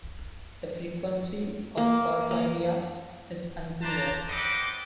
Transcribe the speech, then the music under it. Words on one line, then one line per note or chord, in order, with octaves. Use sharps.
The frequency of porphyria is unclear.
A#3
A#3
B4 C5 D5 A5 A#5
G3 C4 B4 D#5 F#5 D6